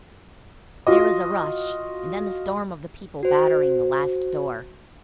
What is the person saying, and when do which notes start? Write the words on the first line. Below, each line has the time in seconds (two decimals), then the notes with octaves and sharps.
There was a rush, and then the storm of the people battering the last door.
0.87 F4 F#4 D#5
3.23 F#4 C5